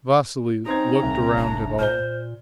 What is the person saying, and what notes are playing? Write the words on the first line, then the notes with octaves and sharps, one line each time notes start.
Vasily looked around at all.
C4 C#4 D#4 C5 A#5 G#6
C2 C#3
E1 D4
A#2 C5 F6 G7